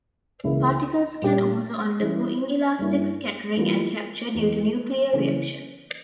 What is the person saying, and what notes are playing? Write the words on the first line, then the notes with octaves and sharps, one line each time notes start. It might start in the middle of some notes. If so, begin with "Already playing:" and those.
Particles can also undergo inelastic scattering and capture due to nuclear reactions.
C#2 C#3 E3 A#3 E4
A#2 G3 C#4 G4
E3 G3 C#4 E4
G2 G3 A#3 C#4 E4
E3 G3 A#3 F4
E2 E3 G#3
C#3 E3 A#3 C#4